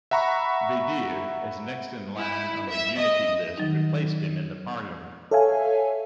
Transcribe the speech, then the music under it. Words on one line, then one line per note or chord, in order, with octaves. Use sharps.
Vaidere, as next in line on the Unity list, replaced him in the Parliament.
E5 F#5 A#5 B5 C#6
E4
E5
D#5
D#3 F#3 D#4
A4 C#5 E5 F5 G#5